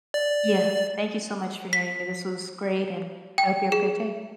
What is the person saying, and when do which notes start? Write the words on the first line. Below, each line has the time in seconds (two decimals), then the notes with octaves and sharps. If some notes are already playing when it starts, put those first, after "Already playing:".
Yeah. Thank you so much for hearing me. This was great, and I hope you have a great day.
0.14 D5
1.73 B6
3.38 G5
3.72 G#4